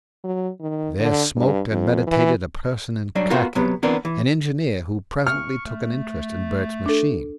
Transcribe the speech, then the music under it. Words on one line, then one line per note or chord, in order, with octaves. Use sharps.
There smoked and meditated a person in khaki, an engineer, who presently took an interest in Bert's machine.
F#3
D#3
D3
G2
F2
E3
F#3 G3 D4
B3 F4 F#4 A#4
C3 F#3 B3
E3 B3 C4 D4 A#4
E3
C#6 F6
A3
D4 A4